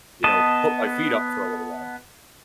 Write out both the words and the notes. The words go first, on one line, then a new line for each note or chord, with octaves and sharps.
you know, put my feet up for a little while.
B3 D#5 A5